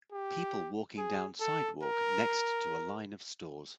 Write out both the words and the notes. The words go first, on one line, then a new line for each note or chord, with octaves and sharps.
People walking down sidewalk next to a line of stores.
G4
G#4
A4
A#4